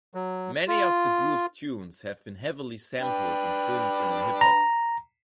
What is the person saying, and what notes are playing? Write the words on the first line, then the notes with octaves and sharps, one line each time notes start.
Many of the group's tunes have been heavily sampled in films and in hip-hop.
F#3
F4
D4 B4 G5
A#5